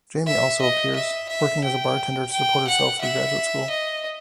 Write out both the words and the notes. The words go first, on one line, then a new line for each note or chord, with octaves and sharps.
Jamie also appears, working as a bartender to support herself through graduate school.
E5
D#5
E5
E5
G5
G5
F#5
E5
D#5